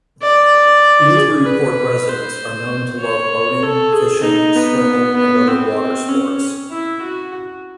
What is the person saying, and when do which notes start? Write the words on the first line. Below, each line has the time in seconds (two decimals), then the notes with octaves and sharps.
Newburyport residents are known to love boating, fishing, swimming, and other water sports.
0.23 D5
1.16 G#4
1.46 B4
2.09 C5
3.00 C#5
3.62 A4
3.93 G#4
4.23 D#4
4.55 B3
5.16 B3
5.47 C4
6.08 C#4
6.71 E4
7.02 F#4